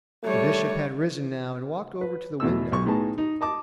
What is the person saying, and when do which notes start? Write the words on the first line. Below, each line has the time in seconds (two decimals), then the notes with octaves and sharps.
The Bishop had risen now and walked over to the window.
0.23 G3 A3 C#5
2.01 B4
2.40 E2 B2 A3 E6
2.72 B1 C#6
2.86 A2 B3 D#4 G#4 A5
3.18 D#4
3.41 D#5 A5 D6